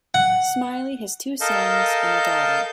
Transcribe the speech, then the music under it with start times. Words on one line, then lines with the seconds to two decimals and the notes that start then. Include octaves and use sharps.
Smiley has two sons and a daughter.
0.14 F#5
1.41 A4 A#4 D#5 F5 A5 G6